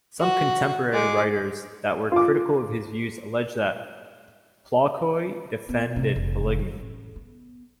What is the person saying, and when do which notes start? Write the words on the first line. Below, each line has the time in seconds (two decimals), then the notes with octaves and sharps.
Some contemporary writers that were critical of his views alleged that Plockhoy defended polygamy.
0.20 F#4
0.93 G#3 D6
2.12 F4 D6
5.69 B3
5.96 C3
6.15 F1 E2
6.59 D#3
6.80 A1
7.16 B3